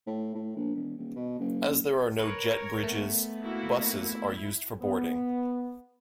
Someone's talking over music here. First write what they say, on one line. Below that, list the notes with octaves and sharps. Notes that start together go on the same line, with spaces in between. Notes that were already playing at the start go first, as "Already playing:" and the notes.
As there are no jet bridges, buses are used for boarding.
A2
A2
A#1
E1
D#1
B2
F#1
F#1
A#4 B4 C#5
A3 B3
A#3 E4 F#4
E4
B3